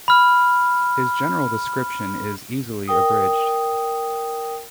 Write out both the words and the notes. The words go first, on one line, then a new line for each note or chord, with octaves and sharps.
His general description is easily abridged.
B5 F6
A#4 G5 D#6